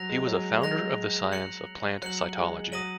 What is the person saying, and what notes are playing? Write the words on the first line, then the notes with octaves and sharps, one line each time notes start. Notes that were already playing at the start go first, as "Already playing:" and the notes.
He was a founder of the science of plant cytology.
Already playing: F#3 F#6 A#6 F7
G#3
F#3
G#3
F#3 F#6 A#6 F7
F#6 C#7 F#7
F#3 F#6 C#7 F#7
G#3
F#3 D#6 A#6 D#7 F#7